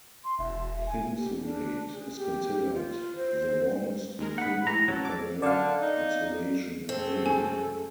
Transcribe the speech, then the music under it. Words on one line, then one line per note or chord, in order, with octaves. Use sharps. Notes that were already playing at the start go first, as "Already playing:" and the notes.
Thinsulate is considered "the warmest thin apparel insulation" available.
C6
E1 E5
G#5
G4
D4
G#4
G4
F4
C5
D#2 G#3 A#4
D#4 F#5 B5
A2 E3 A#5
F#3 C#4 A4
D6
D3 D5 F5
D#4
F#2 C#3 A3 C4 A4
G#5